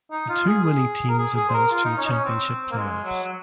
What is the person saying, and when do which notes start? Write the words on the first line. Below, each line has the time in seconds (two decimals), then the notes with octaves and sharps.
The two winning teams advanced to the championship playoffs.
0.12 D#4
0.29 F4
0.47 G#4
0.64 G#4
1.09 A#4
1.19 G#4
1.36 G#4
1.49 C5
1.54 A#4
1.72 F4
1.85 D#4
1.98 C#4
2.06 D#4
2.11 C#4
2.25 C4
2.71 A#3
2.78 G#3
3.04 F#3
3.24 F#3